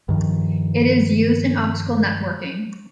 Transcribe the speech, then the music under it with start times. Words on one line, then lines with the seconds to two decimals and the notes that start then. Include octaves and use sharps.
It is used in optical networking.
0.09 G2 D#3 F3